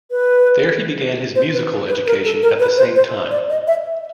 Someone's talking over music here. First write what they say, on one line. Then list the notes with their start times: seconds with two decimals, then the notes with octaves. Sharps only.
There he began his musical education at the same time.
0.11 B4
1.35 C5
1.54 B4
1.89 B4
2.07 A#4
2.25 A4
2.42 A#4
2.60 B4
2.78 C5
2.96 C5
3.31 D5
3.50 D#5
3.67 E5